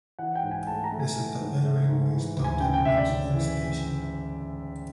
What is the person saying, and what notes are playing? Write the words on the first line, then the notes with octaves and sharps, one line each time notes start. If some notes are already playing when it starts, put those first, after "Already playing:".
The Santa Fe Railway stopped at Millsdale Station.
E3 F#5
G5
G#2
G#5
A3 A5
A#5
A3
G#5
E3
G#2
A3
G#2
E3
D2
G#5
C#3 G5
G5
D2 E5
D5
C#3
E3